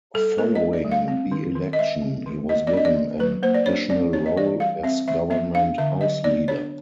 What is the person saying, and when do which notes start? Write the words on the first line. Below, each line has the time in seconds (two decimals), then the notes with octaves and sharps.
Following the election, he was given an additional role as Government House Leader.
0.14 G3 A4
0.38 B3 A#4
0.55 D#5
0.62 D4
0.73 D5
0.85 G3
0.91 F5
1.08 C4
1.32 D#3
1.55 D#3
1.73 D#5
1.79 G#3 E5
2.02 C4
2.26 D#3
2.49 A#3 D#5
2.67 D5
2.73 D4 D#5
2.85 D5
2.96 D#3
3.20 F#3 B4
3.43 A#3 C5
3.54 D5
3.66 D4 C#5
3.90 C4 D5
4.13 E3 C#5
4.26 D#5
4.36 E3 D5
4.60 G3 F5
4.83 C4 E5
5.07 E3 E5
5.30 B3 E5
5.54 D4 F5
5.78 D3 E5
6.01 F#3 D#5
6.24 B3 D5
6.48 D4 C#5